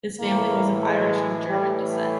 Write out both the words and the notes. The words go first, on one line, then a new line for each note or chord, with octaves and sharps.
His family was of Irish and German descent.
A2 E3 A#3
G#3
A2 E3 G3